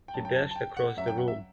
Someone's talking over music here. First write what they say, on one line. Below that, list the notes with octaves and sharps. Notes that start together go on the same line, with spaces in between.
He dashed across the room.
G5
F#2 F#3 A5
G5
A5
A5
G5
F#5
F#2 F#3 E5
G5
F#5
E5